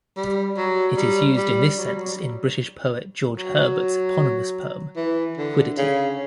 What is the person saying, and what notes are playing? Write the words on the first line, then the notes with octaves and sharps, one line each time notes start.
It is used in this sense in British poet George Herbert's eponymous poem, "Quiddity".
G3
F#3
G3
G3
F#3
G3
F#3
F#3
E3
D3
C#3